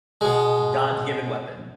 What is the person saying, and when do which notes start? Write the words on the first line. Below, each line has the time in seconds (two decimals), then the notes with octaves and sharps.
God's given weapon.
0.21 B2 G#3